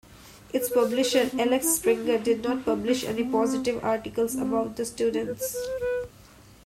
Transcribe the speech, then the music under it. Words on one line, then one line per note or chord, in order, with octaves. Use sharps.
Its publisher, Axel Springer, did not publish any positive articles about the students.
B4
B4
C5
B4
B4
B4
C4
C4
C4
E4
F#4
D#4
C4
C4
D#4
C4
B3
C4
C4
D#4
B4
C5
B4
C5
B4